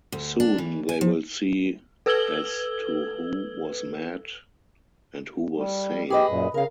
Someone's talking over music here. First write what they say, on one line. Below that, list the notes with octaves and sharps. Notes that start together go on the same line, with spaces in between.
Soon they will see as to who was mad and who was sane.
D2
D4
E3
G#5
F3
A4 B4 E6 G#6 F#7 G7
G3
G4 G#4 B4 D#5
F#2 A#2
C#3 A#4 F5